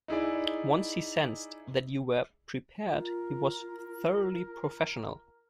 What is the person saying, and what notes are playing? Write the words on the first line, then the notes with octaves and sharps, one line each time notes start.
Once he sensed that you were prepared he was thoroughly professional.
D#4 E4 G#4 D5
F4 A#4